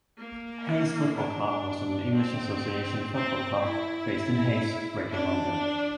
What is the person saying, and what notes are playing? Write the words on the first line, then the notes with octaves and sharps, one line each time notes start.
Hayes Football Club was an English association football club based in Hayes, Greater London.
A#3
D4
C4
C4
E4
D4